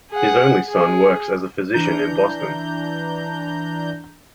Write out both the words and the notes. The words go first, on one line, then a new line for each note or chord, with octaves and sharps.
His only son works as a physician in Boston.
G#4 F#5
G#4
E3 D4 A#5 G6